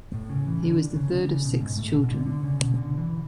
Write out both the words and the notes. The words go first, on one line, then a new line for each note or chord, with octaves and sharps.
He was the third of six children.
A2
C#3
E3
D3
C#3
D3
C#3
B2
G#2
A2
B2
D3
D3
C#3
B2
D3
E3